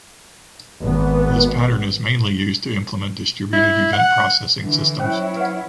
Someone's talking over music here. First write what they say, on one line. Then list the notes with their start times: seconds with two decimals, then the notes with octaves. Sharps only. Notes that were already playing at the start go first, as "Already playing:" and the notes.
This pattern is mainly used to implement distributed event processing systems.
0.82 G#1 B3
3.53 E4
3.93 F#5
4.59 D3 E3
4.99 F#3 C#4 E4 C5 C#5 G5
5.36 B4 F#5